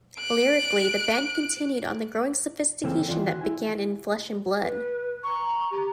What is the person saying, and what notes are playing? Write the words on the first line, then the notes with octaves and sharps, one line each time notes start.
Lyrically, the band continued on the growing sophistication that began in "Flesh and Blood".
F#6 D7
C#3 E3 A#3 C4 C#4 A4
D#3 E3 F4 D5
F#4 G#5
E4 G#5
B4
A#5 C#6
G4